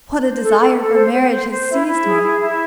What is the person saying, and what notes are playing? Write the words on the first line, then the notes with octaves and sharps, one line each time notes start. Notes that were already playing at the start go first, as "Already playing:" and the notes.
What a desire for marriage has seized me!
C5
A4
A4
A4
C5
C5
C5
C5
E4
E4
G#4
E4
E4